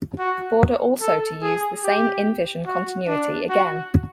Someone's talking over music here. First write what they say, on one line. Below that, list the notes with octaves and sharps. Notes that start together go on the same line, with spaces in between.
Border also to use the same in-vision continuity again.
F#4
A4
G#4
G4
F#4
D4
F#4